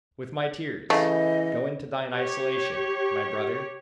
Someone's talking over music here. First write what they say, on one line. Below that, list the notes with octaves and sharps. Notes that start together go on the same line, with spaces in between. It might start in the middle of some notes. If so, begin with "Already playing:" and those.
With my tears, go into thine isolation, my brother.
C#3 E3 A3 D#5
G4 C#5